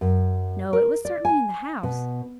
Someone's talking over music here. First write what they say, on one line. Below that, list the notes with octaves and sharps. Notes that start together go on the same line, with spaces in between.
No, it was certainly in the house.
F#2
A#4
D5
G#5
B2